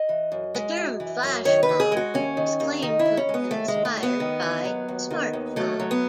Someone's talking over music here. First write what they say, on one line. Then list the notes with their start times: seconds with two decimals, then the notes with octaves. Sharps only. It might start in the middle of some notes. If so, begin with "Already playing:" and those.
The term "flash mob" is claimed to have been inspired by "smart mob".
Already playing: D#5
0.09 E3
0.32 F#2
0.55 G#3
0.77 F#2
1.00 E3
1.23 F#2
1.45 D#3 C#5
1.63 B4
1.69 D#2
1.80 G#4
1.92 G#3 F#4
2.14 D#2 C#4
2.37 D#3
2.60 D#2
2.82 D#3 D#4
2.99 E4
3.06 D#2
3.17 C#4
3.29 G#3
3.34 B3
3.51 D#2 A3
3.68 G#3
3.74 D#3
3.85 A3
3.97 D#2
4.03 B3
4.20 D#3
4.42 D#2
4.65 F#3
4.88 D#2
5.11 D#3
5.33 D#2
5.56 F#3 A3
5.80 F#3
5.91 B3